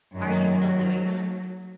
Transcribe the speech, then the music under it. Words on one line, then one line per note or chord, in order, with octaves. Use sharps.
Are you still doing that?
F#2 D#3 F#3